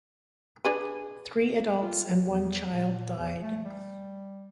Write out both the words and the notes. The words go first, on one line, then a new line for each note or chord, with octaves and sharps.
Three adults and one child died.
D4 G#4 B4
F4
F#3
E2
A#2
E2
A3
G3